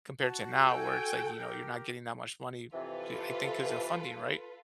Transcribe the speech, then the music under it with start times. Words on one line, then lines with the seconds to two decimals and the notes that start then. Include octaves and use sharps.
compared to now where it's like, you know, you're not getting that much money. B I think 'cause of funding, right?
0.21 F#4 A5
0.67 A4 G5 G#5
1.39 G4 A#4
2.73 F2 C3 E3 F4 A4 B4